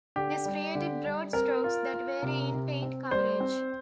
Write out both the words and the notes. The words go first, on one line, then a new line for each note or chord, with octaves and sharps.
This created broad strokes that vary in paint coverage.
D3 G4
G3
D3
G3
C4 A#4
F4
F4
C3
C3
C4
G3 C5
C4